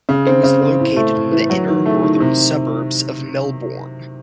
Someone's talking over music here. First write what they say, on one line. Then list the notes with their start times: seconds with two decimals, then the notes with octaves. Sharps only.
It was located in the inner northern suburbs of Melbourne.
0.09 C#3
0.27 C4
0.43 C#3
0.62 C4
0.80 A2
0.96 A3
1.15 A2
1.32 E3
1.50 F#3
1.68 D#3
1.86 A3
2.03 D#3
2.20 C3